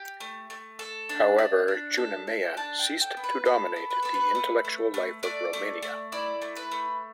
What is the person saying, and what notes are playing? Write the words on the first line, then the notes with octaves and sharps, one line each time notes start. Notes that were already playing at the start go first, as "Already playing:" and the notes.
However, "Junimea" ceased to dominate the intellectual life of Romania.
Already playing: G4
A3
A3
A4
D4
D4
D4
A4
A4
D4 A5
G5
A4
G5
B3
B4
B3 A4
B3
B4
B3 A4
B4
A3
A3
A3
A3 D5
A3
A3
E4 D5
A3
B4
A3